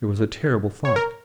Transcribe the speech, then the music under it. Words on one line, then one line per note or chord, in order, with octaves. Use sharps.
It was a terrible thought.
C#5
A#4